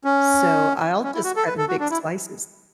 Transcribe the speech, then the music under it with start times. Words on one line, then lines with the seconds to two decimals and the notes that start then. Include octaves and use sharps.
so I'll just cut in big slices.
0.04 C#4
1.03 C#4
1.14 E4
1.24 F#4
1.36 A4
1.46 B4
1.58 A4
1.69 F#4
1.80 D4
1.91 E4